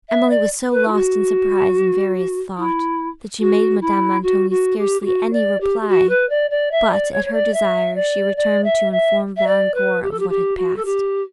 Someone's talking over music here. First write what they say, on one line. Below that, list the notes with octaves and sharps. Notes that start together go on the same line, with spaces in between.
Emily was so lost in surprise and various thought, that she made Madame Montoni scarcely any reply, but, at her desire, she returned to inform Valancourt of what had passed.
E5
D5
B4
E4
F#4
E4
F#4
E4
F#4
F#4
G4
G4
F#4
D5
G4
G4
F#4
B4
D5
D5
E5
D5
C#5
C#5
D5
E5
D5
D5
E5
E5
E5
D5
B4
G4
A4
G4
G4
F#4
A4
G4